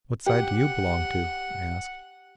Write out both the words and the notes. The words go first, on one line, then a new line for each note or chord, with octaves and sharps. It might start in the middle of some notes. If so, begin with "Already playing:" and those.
"What side do you belong to?" I asked.
G4 F#5